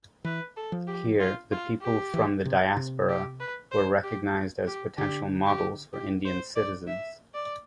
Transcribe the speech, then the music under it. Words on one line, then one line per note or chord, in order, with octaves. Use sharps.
Here, the people from the diaspora were recognized as potential models for Indian citizens.
E3 B4
A4
F3
G4
F4
F4
G4
E3
C3
C3
G4
B4
C5
G4
G4
D3 G4
G4
G4
C5
D5
E5
D5